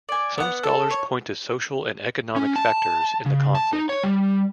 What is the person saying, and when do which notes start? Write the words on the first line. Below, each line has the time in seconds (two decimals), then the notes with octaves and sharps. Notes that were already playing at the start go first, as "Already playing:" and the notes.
Some scholars point to social and economic factors in the conflict.
0.09 D5 G#5
0.38 B3 F#5
0.63 A4
0.91 C#5
2.36 C#4
2.56 A5
3.26 C#3
3.55 A5
3.73 D#4
3.89 C#5
4.03 G3